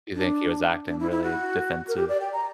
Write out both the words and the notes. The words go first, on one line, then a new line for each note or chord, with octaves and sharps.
Do you think he was acting really defensive?
D4
D4
E4
E4
F#4
A#4
G4
D5
G5
A#5